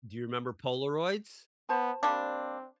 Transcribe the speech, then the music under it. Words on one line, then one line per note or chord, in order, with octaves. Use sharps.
Do you remember Polaroids?
B3 C5 A5
G3 A#3 C4 D4